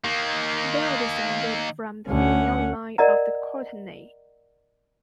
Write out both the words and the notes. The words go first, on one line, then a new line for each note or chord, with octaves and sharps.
They are descended from the female line of the Courtenay.
D#3 A#3
D2 C#4 F#5
A#4 D5 D#5 F#5 A#5